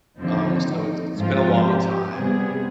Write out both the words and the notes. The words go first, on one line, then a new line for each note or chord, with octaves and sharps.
um, so, it's it's been a long time,
D#2 D3 F3 C4 D#4
G#2 F3 C4 F4
G4
C3 G3 B3 G#4